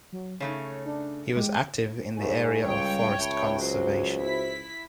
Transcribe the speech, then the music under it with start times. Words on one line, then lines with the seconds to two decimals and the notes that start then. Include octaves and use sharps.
He was active in the area of forest conservation.
0.12 F#3
0.40 C#3 A3 D#4 C#5
0.86 D4
1.37 G#3 G4
2.17 G#2 A3 G#5
2.65 C#2 G3 C#5 F5 G5
3.18 C#2 E5 A5 B5
3.60 F#3 F#4 C5
4.22 E4 B6